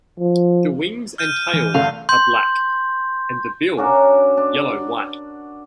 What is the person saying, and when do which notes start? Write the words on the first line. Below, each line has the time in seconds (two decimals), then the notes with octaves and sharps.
The wings and tail are black and the bill yellow-white.
0.20 F3
1.18 F6 G6 D#7
1.53 E3
1.74 G2 D3 A3 F5
2.09 C6 G6
3.77 C#4 D4 F#4 A#4
4.37 D4